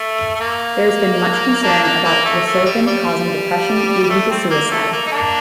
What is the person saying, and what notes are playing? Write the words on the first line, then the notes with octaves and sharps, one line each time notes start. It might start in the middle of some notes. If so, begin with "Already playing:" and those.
There has been much concern about reserpine causing depression leading to suicide.
Already playing: A3
A3
A#3
A#3 D4
A#3
A#3
A3
A3
G3
G3
G3
A3
C4
A#3
A3
A#3
D#4
A#3 D4